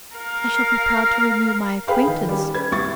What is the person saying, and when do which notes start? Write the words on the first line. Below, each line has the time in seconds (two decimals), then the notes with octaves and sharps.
"I shall be proud to renew my acquaintance."
0.16 A#4 F5
1.87 G#4 B4 F5 G5
2.08 D#3
2.29 G3 C#4
2.54 B4 G#6
2.72 C2 C#6 A6